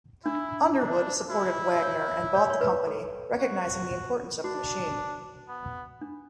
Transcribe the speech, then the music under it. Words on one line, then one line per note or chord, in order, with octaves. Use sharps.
Underwood supported Wagner and bought the company, recognising the importance of the machine.
D4 E4
D4
E4 F#4
C#5
C#5
C#5
B4
A4
F#4
D4 F#4
B3
D4